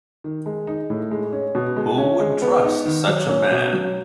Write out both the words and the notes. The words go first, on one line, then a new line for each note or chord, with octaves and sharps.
Who would trust such a man?
D#3
G#3
D#4
A2
G#3
C#4
B2
G#3
C#4
G#3
B3
D#4
D#3
F#3
C#4
B2
F#3